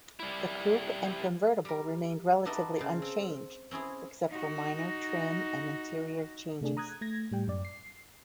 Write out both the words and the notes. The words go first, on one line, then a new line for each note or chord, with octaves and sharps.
The coupe and convertible remained relatively unchanged except for minor trim and interior changes.
G3 E4
G3 A#4
B3 D4 D#4 A4 D#5 E5
C#3 C5 A5
C4
C4 C#4 E4 G#4
D#4 F#4
C3 A3 D4 G#4
A#5 D#6 F#6 G#6
A3 G#6 A#6
A2 G3 G5
F#2 D5
C7